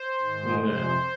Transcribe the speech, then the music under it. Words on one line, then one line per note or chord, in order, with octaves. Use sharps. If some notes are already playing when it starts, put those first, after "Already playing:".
Mm, yeah.
Already playing: C5
G#2 D#3 G#3
F2 C3 G#3 C5